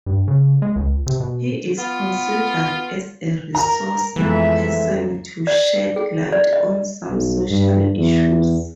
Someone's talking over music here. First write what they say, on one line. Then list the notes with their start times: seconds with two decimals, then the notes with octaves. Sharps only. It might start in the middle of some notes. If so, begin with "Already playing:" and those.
He is considered as a resource person to shed light on some social issues.
0.06 G2
0.28 C#3
0.62 G#3
0.76 C#2
1.07 C3
1.20 B2
1.78 B3 F4
3.55 A#4 A#5
4.16 F2 E3 F3 G#3 A3 B3 E5
5.47 D5
5.96 G#4
6.32 D5
6.53 D#5
7.10 B1
7.50 G2
7.97 E2